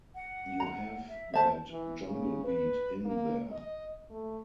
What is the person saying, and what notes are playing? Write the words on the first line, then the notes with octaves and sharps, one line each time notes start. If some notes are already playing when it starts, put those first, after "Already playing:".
You have that jungle beat in there.
F#5
A#5
E5
C5 E5 A5
E3
C#3
B4
A#3
D#5
A3